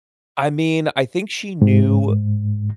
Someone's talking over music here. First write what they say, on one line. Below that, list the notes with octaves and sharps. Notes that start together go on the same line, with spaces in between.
I mean, I think she knew
G#2